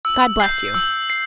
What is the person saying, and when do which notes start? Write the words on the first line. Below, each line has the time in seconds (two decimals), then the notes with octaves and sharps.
God bless you!'
0.05 E6
0.40 G6 C7
0.74 E6
1.10 C7